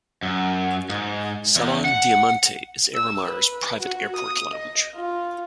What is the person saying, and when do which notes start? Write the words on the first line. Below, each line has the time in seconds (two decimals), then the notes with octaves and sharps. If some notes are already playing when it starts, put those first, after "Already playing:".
Salon Diamante is Aeromar's private airport lounge.
0.23 F#2
0.90 G#2
1.56 E2
1.85 F#5
2.95 E6
3.25 B4
3.80 F#4
4.16 D#6
4.52 D#5
4.96 F4